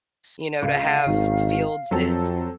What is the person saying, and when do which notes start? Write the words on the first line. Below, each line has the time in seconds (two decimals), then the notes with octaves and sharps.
you know, to have fields that
0.63 C#2 F5
1.07 G#1 D#3
1.91 F2 F#3 C4 A4